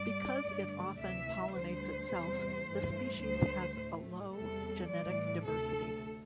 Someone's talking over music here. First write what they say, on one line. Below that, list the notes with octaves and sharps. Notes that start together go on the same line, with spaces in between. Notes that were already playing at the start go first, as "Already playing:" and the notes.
Because it often pollinates itself, the species has a low genetic diversity.
Already playing: G2 G3 D5
G2 D3 A3
D2 C3 E3 A3 E5
D2 D3 G3 C5
E2 C3 G3
G2 E3 A3
D2 D3 G3 C5
A2 A3
E2 C3 G3 A4
A2 E3 G3 D5
D2 C3 A3 A4